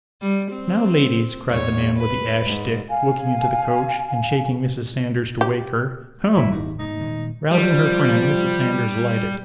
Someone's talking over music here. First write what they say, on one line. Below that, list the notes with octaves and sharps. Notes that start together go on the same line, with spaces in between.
'Now, ladies,' cried the man with the ash stick, looking into the coach, and shaking Mrs. Sanders to wake her, 'Come!' Rousing her friend, Mrs. Sanders alighted.
G3
C4
E2 G#2 C#5
B4
G#2
F5 G#5
G4
G#1 E4
D#2
G#2 B2 D#4
A#2 D#3 G#3
F3 G3